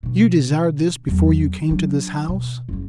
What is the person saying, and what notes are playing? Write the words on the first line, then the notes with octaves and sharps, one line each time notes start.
You desired this before you came to this house?
B2 D3
E2 F#3
F#3 D4
B2
F#1 G3